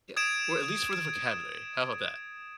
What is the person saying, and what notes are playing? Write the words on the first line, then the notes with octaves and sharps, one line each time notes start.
Yeah, or at least for the vocabulary how about that?
D#6 G#6 A6 D7 E7